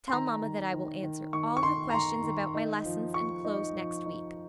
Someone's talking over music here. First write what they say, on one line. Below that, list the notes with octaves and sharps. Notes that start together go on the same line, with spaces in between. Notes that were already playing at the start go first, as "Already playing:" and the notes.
Tell mamma that I will answer all her questions about my lessons and clothes next week.
C6
D#3 A#5
D#3
D#3
D#3
D#3 C#6
C#6
D#3 C6
A#5
D#3 C6
D#3
D#4
F3
F3 C#6
D#4
F3
D#4